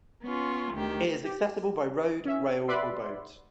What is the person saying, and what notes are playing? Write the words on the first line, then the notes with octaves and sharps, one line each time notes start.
It is accessible by road, rail or boat.
B3 C#4 F4
D2 D#3 G4
G4
C#4 E5
B4 D5 E5 F#5 B5 C6